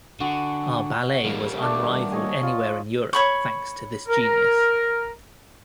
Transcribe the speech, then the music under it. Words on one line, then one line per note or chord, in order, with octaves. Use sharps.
Our ballet was unrivaled anywhere in Europe thanks to this genius.
D3 F#4 G#4 A5
G3 A#3
A3 D4
C#5 D#5 G#5
F4
C#5 B5 C#6
A#4